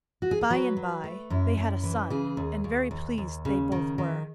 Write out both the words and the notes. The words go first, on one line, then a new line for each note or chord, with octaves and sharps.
By and bye they had a son, and very pleased they both were.
F#4
G#4
A4
F#3 B4
F#3
A3
F#2 E4
F#2
E3
C#3 G#4
D#2
D#2
D#2
D#2
C#3
D#3
D#3